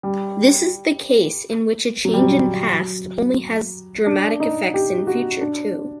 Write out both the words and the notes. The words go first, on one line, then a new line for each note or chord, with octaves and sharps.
This is the case in which a change in past only has dramatic effects in future, too.
G3
F#3
G3
F#3
D4
D#4
G4
F#4
D4